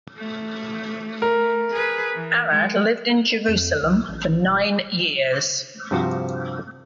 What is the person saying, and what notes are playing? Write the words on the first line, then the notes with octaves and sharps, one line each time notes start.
Arad lived in Jerusalem for nine years.
A3
A#4
G#4 B4
E3
G#3
F2
C2
A1
E1
G2 C3 F3 F#4 C5